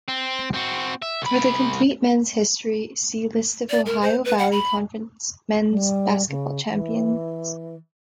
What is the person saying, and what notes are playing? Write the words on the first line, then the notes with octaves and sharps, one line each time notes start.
For the complete men's history, see List of Ohio Valley Conference men's basketball champions.
C4
C4 F#4
E5
C2 B5
D5
A#4
C5
B4
F#5
B5
G3
C#3
E3